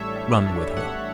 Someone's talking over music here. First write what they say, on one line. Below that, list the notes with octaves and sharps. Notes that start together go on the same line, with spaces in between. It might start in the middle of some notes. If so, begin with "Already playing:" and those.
Run with her.
Already playing: A1 A2 G3 D4 A4 C#5 E5
G3
D4
A1 F#5